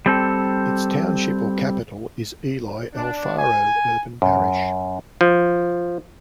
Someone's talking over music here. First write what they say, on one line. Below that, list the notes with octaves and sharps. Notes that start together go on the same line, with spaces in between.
Its township or capital is Eloy Alfaro, urban parish.
G3 C4 A4
D4
G#5
F#2
F3